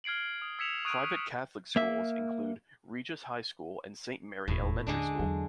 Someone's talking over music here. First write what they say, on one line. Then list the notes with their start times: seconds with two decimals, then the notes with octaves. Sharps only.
Private Catholic schools include Regis High School and Saint Mary Elementary School.
0.04 F6 G#6 C7 D7 F#7
0.42 D#6
0.59 E6 G#6 B6 C#7 E7 F7
0.85 C#6 D#6 F#6 G#6 D7 D#7
1.76 A#3 E5
4.48 E1 D#2 A2
4.87 D#2 D3 G#3 D4
5.19 E2 F#3